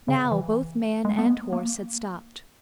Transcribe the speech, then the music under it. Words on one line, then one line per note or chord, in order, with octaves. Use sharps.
Now both man and horse had stopped.
C#3
E3
G#3
B3
A#3
A#3